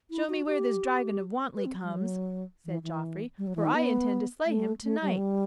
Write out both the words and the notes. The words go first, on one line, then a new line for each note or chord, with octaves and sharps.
"Show me where this Dragon of Wantley comes," said Geoffrey, "for I intend to slay him to-night."
E4
F#4
G4
B4
C4
G3
F#3
E3
E3
G3
F#3
E3
D#3
B3
A3
A3
G3
F#3
G3